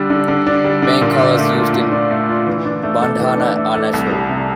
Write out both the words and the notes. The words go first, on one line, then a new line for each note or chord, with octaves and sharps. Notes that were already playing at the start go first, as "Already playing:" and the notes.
The main colours used in Bandhana are natural.
Already playing: D3 G3 D4
D3
D3
D4
G3
D3
A#2
D4
A3
F4
A#2
D4
A3
F4
E3
D4
A3
A4
E3
D4
A3
A4
C2
G3
C3